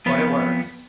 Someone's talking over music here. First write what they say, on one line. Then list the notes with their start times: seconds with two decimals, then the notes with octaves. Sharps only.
but it works.
0.06 F2 B3